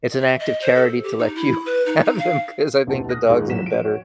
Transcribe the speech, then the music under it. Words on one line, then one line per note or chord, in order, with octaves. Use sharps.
it's an act of charity to let you have him 'cause I think the dog's in a better
E5
D#5
C5
A4
G4
D#4
E4
B4
D#4
D#4
F5
F1 D2 B2 E4 G4 A5
D#6 F#6 A#6
D#2 G#2
A2 F#3 C#5 F#5 B6 E7
F3 D7
F#4 C#5